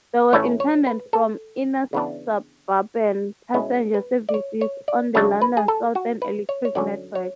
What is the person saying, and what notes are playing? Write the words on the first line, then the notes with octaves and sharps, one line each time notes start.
They were intended for inner suburban passenger services on London's Southern Electric network.
A2 E3 A3 C#4 C#5
C#5
B4
A4
C#3 E3 B3 D4
B2 G#3 C#4 E4
B4
D5
C#5
C#5
D5
C#3 F#3 A3 D4 C#5
B4
G#4
A4
F#4
B4
C#5
C#5
D3 F#3 C#4 D5
C#5